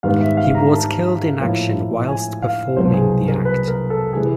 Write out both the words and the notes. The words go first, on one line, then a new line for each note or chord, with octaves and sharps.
He was killed in action whilst performing the act.
G#2 D#3 G3 B3 F5
E5
F5
A#5
A5
A2 F3 A#3
G#5
F5
C2 B2 F#3 A#3 C5
G#4
A#4
B4
A#4
A4
C3 E3 G#4